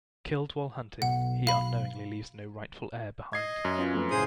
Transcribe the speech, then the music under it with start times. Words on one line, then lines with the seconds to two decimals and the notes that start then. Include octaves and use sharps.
Killed while hunting, he unknowingly leaves no rightful heir behind.
1.02 B1 F#5
1.47 F5 B5
3.33 D#5 G#6 C7
3.65 F#2
3.78 C#4 F4 B4
3.94 F2 A3 B4
4.11 A2 C#3 F4 G#4 C5 D#6